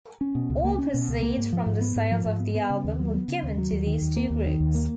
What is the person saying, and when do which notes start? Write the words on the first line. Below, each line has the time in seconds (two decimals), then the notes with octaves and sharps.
All proceeds from the sales of the album were given to these two groups.
0.21 C#4
0.35 B2
0.50 C#2
0.65 A#3
0.78 C#4
0.94 B2
1.09 C#2
1.22 A#3
1.37 G#2
1.53 F3
1.66 G#2
1.81 B3
1.96 G#2
2.11 F3
2.26 G#2
2.40 B3
2.55 B3
2.70 C#3
2.84 D#2
2.99 F#3
3.14 B3
3.28 C#3
3.43 D#2
3.58 F#3
3.72 D#2
3.87 D#3
4.02 D#2
4.16 A#3
4.30 D#2
4.46 D#3
4.60 D#2
4.75 A#3